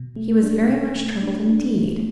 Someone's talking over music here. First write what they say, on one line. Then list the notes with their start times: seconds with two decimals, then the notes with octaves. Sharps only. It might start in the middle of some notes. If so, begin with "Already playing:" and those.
He was very much troubled, indeed.
Already playing: B2
0.16 A3
0.43 D4
0.69 B2
0.95 A3
1.23 D4
1.49 D4
1.75 A3